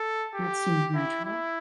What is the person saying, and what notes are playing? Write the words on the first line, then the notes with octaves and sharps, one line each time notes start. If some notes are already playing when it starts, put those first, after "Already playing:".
That seems natural.
Already playing: A4
G4
E4
E4